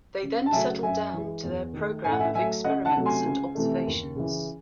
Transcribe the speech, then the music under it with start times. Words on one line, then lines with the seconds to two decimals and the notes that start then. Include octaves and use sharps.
They then settled down to their program of experiments and observations.
0.22 C#2
0.46 A5
0.52 C#3 F#3 A3 E5 G#5
0.83 F#2 E5 G#5
1.13 E3 G#3
1.43 E2
1.74 D#3 A3
2.04 A2 G#5
2.12 F#5
2.20 E5 G#5
2.35 F#3 A3 E5 G#5
2.64 C#2 D#5 F#5
2.85 F#5 A5
2.95 C3 F#3 A3
3.06 G#5 C6
3.26 C#2
3.55 C3 E3 A3
3.86 D#2
4.16 C#3 E3